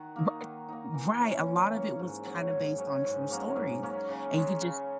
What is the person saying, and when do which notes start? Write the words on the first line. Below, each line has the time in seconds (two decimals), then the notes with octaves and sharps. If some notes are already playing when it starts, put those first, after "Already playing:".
Righ Right, a lot of it was kind of based on true stories and you could just
Already playing: D#3 F#4
0.16 A#3 D#4
0.42 D#3
0.68 A#3 D#4
0.94 E3
1.20 A#3 C#4
1.46 E3
1.73 A#3 C#4
1.99 G#2
2.25 F#3 C#4
2.52 G#2
2.78 F#3 C#4
3.04 G#2
3.30 F#3 A#3 C#4
3.56 G#2
3.83 F#3 A#3 C#4
4.09 C#3
4.35 G#3 C#4
4.61 C#3